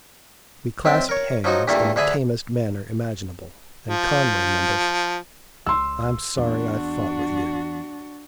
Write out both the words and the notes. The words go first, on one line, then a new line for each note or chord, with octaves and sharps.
We clasped hands in the tamest manner imaginable, and Conway mumbled, "I'm sorry I fought with you."
B1 C4 E5 G5 A5
A#4 C#5
F3 F#3 D#4 F#4
E2 G2 A#2 A3 A#3
D2 D3 G#4 E5 G#5 B5
F3
C#2 C6 E6
E2 D4 F#4